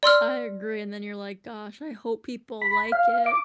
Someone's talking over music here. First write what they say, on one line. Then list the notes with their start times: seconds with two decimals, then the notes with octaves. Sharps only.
I agree, and then you're like, "Gosh, I hope people like it."
0.03 D5 C6 E6 F6
2.62 B5
2.92 F5
3.26 D6